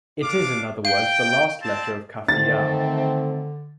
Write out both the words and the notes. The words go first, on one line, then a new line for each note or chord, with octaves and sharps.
It is in other words the last letter of Qaafiyaa.
D4 F5 D6
F5 G5
C4 A5
D3 D#3 A3 C4 A6